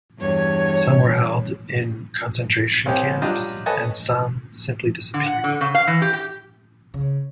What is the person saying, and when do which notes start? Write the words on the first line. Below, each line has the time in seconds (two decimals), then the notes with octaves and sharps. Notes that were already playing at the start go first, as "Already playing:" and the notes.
Some were held in concentration camps and some simply disappeared.
0.19 E2 G2 C#5
2.86 C2 C4 C#4 G4
3.22 F#3 G3 D4 F4 D#5
3.66 A4 B4 C#5 D#5 G#5 A5
5.14 D3
5.26 F#5
5.44 D3
5.61 C#3
5.75 F5
5.87 E3
6.02 G4
6.13 G4
6.94 C#3